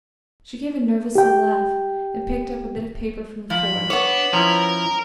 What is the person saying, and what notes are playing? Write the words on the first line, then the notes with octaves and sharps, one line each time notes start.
She gave a nervous little laugh and picked up a bit of paper from the floor.
G4 G5
F3 B5
B3 D4 C#5
F3 C#4 E4 A#4 A#5